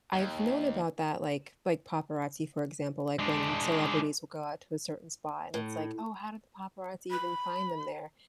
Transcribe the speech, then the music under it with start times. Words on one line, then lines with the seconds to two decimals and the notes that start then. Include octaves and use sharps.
I've known about that, like like paparazzi, for example, like, when celebrities will go out to a certain spot and it's, like, "Oh, how did the paparazzi even find them there?"
0.13 D#2
3.19 G#3 D4
5.54 A2
7.10 B5